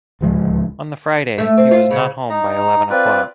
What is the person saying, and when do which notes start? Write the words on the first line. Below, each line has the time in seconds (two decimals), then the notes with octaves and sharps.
On the Friday, he was not home by eleven o’clock.
0.21 D1 C#2 F3 G#3
1.38 A3
1.57 C4
1.71 F4
1.91 C#3
2.29 D#4 A#5
2.90 C4 F4 B4 D5